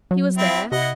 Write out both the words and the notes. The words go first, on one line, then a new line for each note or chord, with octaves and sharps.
He was there?
F#3
C4 E4
C3 E4 D#5 F#5